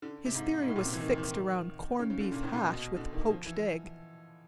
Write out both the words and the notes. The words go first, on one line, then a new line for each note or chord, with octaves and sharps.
His theory was fixed around corned-beef hash with poached egg.
D3
C3
G#2
G#2
A2
A#2
C3
E3
D#3
D#3
C#3
C#3
D3
A#2
A2
A#2
B2
B2
D3
D#3
F3
E3